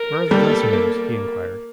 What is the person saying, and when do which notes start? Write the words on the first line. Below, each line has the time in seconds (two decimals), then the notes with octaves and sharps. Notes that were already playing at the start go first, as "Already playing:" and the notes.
"Where are the dressing rooms?" he inquired.
Already playing: A#4
0.30 G3 A#3 A4
0.73 A#3